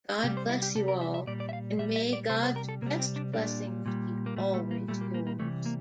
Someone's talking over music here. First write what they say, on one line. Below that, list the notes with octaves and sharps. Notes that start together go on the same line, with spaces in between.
God bless you all and may God's best blessings be always yours.
C3 G3 G4
C5
E4
G4
C3 G3 A4
A#4
E5
E5
A#2 G3 D5
D5
E5
F5
A#2 G3 E5
E5
D5
C3 G3 C5
C5
A#4
A4
C3 G3 A#3
C4
D4
A#2 G3 D4
A#2 G3
A#3
A#2 G3 A3
A3
A#3
A#2 G3 A3
A#3
A#3
A#3
C3 E3 G3 A3
A#3